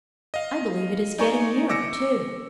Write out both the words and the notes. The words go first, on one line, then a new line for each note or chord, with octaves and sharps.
"I believe it is getting nearer, too."
D#5 F5
D#4 D5 G#5 A#5 C#6
D6 E6 A#6 C#7